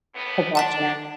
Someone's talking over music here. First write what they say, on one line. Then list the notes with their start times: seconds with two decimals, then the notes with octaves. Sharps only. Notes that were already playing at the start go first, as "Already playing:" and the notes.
to watch next.
0.14 D#2 A2 B3
0.55 D4 F#5 A5 B6